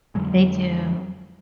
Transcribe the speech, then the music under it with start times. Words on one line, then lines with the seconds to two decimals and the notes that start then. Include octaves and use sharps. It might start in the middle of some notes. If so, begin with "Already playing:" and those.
They do.
0.15 F2 D3 F#3 G#3